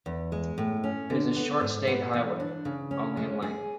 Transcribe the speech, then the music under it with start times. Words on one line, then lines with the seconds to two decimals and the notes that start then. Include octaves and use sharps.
It is a short state highway, only in length.
0.06 E2
0.32 G#3
0.58 A2
0.84 C#4
1.10 D3
1.36 B3
1.61 G#2
1.87 B3
2.14 E3
2.40 D4
2.65 C#3
2.91 C#4
3.17 G#3
3.42 G#4